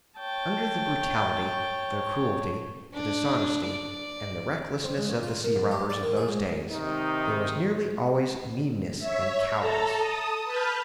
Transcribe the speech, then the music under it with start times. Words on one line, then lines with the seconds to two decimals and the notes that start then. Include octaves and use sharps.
Under the brutality, the cruelty, the dishonesty, and the recklessness of the sea-robbers of those days, there was nearly always meanness and cowardice.
0.19 C#5 G5 A5
2.94 D4
3.65 D5
4.84 C4
4.97 G#3
5.09 A1
5.23 F4
5.44 A#4
5.56 F#2
5.71 G4
5.90 D5
6.03 D#3
6.17 G#4
6.28 G#2
6.72 C3 D#3 D#4
8.99 C#5 E5
9.56 A4 A5 A#5
9.97 A5 D#6
10.44 B4 A5 B5 F6 G6